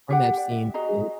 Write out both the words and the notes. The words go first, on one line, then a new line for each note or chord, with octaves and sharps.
from Epstein through
G4 F#5 G5
D5
E5
F#4 G#4 D#5 A#5